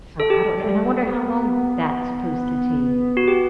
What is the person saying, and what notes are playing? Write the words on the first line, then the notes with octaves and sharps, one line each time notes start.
So I don't know and I wonder how long that's supposed to take.
A4
G4
A3
G3
B3
F#4
G4